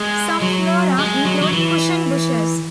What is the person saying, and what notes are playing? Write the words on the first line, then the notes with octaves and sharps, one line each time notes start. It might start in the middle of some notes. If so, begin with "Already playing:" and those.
Some flora include cushion bushes.
Already playing: G#3
F#3
G#3
F#3
F#3
E3